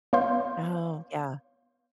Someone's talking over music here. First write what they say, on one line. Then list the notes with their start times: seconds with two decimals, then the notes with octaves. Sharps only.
Oh, yeah.
0.13 B3 C#5 F5 C6 G6